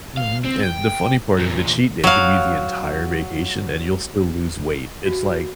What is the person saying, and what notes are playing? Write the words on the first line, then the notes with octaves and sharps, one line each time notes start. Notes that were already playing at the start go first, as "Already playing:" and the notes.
Mhm, and the funny part is the cheat day can be the entire vacation, and you'll still lose weight. It's, like
F5
C4
G5
E2 A#2
F#3 F5
F#4